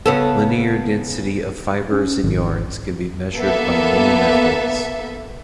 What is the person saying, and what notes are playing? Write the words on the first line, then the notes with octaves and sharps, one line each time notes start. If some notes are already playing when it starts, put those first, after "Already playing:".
Linear density of fibers and yarns can be measured by many methods.
C#3 B3 A4
C#4
G#1
A#3 B3 A4 E5